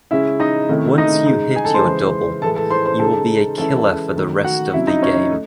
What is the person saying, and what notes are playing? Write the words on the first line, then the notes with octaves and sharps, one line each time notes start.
Once you hit your double, you will be “a killer” for the rest of the game.
C#3 G#3 C#4 E4 E5
D#4 D#5
C3 D#3 A3 C#4 E4
D#4 D#5
C#3 G#3 D#4
G#4 G#5
A4 A5
C5 C6
C#3 E3 G#3
A2 E3 G#3 A4 A5
A4 A5
C5 C6
C5 C6
C#3 G#3 D#4 A4 A5
E3 G#3 C#4 E4 A4 A5
D#3 A3 D#4
F#4 F#5
C3 F#3 C#4 E4 E5
D#4 D#5
C#4 C#5
A3